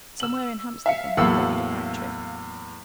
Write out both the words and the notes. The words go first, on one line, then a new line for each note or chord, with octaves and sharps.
Somewhere in Hampstead they had a regular factory.
E6 F#7
E5 F5 C#7
E2 A2 F#3 A#3 A#4 F5 F#5 E6